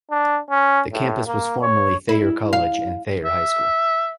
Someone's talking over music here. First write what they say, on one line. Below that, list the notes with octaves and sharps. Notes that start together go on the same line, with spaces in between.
The campus was formerly Thayer College and Thayer High School.
D4
C#4
A2
A#3
C#5
E4
F5
E5